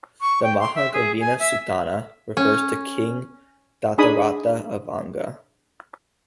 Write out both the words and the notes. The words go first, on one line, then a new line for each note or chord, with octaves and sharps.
The "Mahagovinda Suttanta" refers to king Dhatarattha of Anga.
C#6
G5
C6
E5
G#4
G#5
E5
C#4
D4 D#4 G#4 G#5 B5 D#6